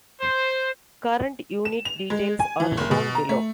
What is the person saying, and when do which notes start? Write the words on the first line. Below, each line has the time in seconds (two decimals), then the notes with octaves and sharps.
Current unit details are shown below.
0.20 C5
1.65 E7
1.85 F7
2.10 G#3
2.40 G#5
2.60 E3
2.77 F#1
2.91 B2
3.15 A#5
3.29 A3